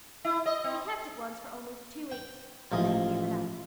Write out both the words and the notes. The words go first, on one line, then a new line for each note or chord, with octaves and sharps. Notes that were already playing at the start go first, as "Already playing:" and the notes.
He kept it once for almost two weeks, and then gave it up.
E4
D#5
C4
G5
A1 F3 G#3 D#5